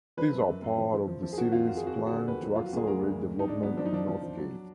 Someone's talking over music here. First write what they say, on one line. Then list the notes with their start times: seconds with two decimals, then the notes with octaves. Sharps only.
These are part of the city's plan to accelerate development in Northgate.
0.17 F3 B4
0.33 F#2
0.48 F#2
0.62 F#2
0.78 F3
0.93 F3
1.08 F3
1.23 F3
1.33 G#4
1.38 D#3 F#4
1.52 F2 F4
1.67 F2 F#4
1.77 G#4
1.82 F2 F#4
1.97 F3 G#4
2.07 F#4
2.12 D3
2.27 D#2 B4
2.42 F3
2.55 F#3 F4
2.66 F#4
2.73 D2 G#4
2.87 F#3 A#4
3.03 D2
3.18 G#2
3.32 G#2
3.39 D#4
3.48 G#2 D4
3.63 F#3 B3
3.77 F3 D4
3.85 D#4
3.92 F3 D4
4.08 F3
4.23 F3
4.38 F#3